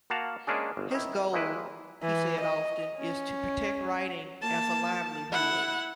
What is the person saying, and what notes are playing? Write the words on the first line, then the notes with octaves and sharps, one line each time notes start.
His goal, he said often, is to protect writing as a livelihood.
A#3 F#4 F5 F#5 A5 A#5
G#3 A#3 C#4 D4 G#4
G1
D#3 E4
D#3 G#3 A#3 E4 B4
E3
D#5
C#4
A#3 A5
E4 F#5